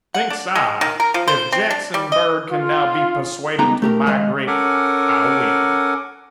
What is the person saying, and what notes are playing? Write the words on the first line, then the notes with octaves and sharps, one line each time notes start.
Thinks I, if Jackson Bird can now be persuaded to migrate, I win.
F#5
D4
G#3
D#3
A#4
F3
C5
C4
D4
G3
D#5
F4
C#2 G2 B3 D#4 G4 A#5
A3 G4 A#4
D#2 G#3 D#5 F5
C#4 A4 A#4 F#5 G#5 D6